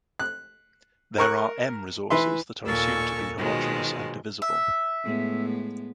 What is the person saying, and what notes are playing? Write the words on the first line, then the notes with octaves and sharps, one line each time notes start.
There are "m" resources that are assumed to be "homogeneous" and "divisible".
F#6
A#4 C#6 F#6
E3 B4 E5 C6
D#2 A#2 A4 A#4 G#5 C#6
B2 D#3 F3 F#3 G#3
E5
A2 G#3 B3